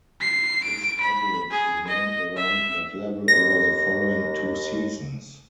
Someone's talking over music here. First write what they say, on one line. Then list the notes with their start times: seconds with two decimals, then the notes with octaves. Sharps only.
His average remained around that level over the following two seasons.
0.21 C7
0.64 D7
1.01 B5
1.51 G#4
1.88 D#5
2.37 E5
3.28 D#2 A#6